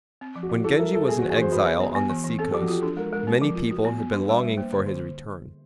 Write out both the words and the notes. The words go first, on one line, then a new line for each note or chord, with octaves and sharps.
When Genji was an exile on the sea-coast, many people had been longing for his return.
C4
F3
F#4
F3
E4 A4
G3 A#4
G3 A4
B3 G#4
F#4
E3
G#4
E3 C5
F#4 B4
B3
B3
B3
E3
E3
C4 A4
G4
F3
F#4
F4 G4
D4 A4
G#3 A#4
G#3 A#4
C4
F3
F4
F#4
B3
B3
D4 B4
G3
G3
A#3 C5
D3 C5
D3